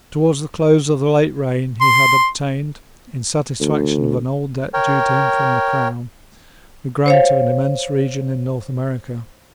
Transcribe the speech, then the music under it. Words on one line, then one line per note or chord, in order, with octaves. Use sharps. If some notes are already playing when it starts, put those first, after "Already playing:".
Towards the close of the late reign he had obtained, in satisfaction of an old debt due to him from the crown, the grant of an immense region in North America.
C6
D2
A#4 C#5 G5
C5 C#5 F5